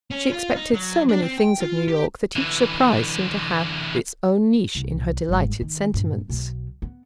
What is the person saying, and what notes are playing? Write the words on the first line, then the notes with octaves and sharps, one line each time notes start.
She expected so many things of New York that each surprise seemed to have its own niche in her delighted sentiments.
C#4
F4
D#4
F#3
D4
C4
G5
F4
G4
D3 E3
C2
G1 G#2
D#3
G2 A#2
B1 B2
B3